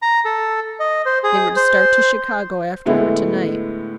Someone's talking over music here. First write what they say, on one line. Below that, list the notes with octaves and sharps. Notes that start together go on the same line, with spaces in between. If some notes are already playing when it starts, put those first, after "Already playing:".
They were to start to Chicago after her to-night.
A#5
A4
D#5
C5
G#4
C5
A2 D3 G#3 B3 E4